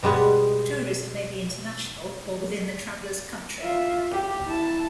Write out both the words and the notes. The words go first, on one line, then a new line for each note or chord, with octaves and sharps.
Tourism may be international, or within the traveller's country.
B2 G3 G#3 B3
F4 E5
G4
E4 A5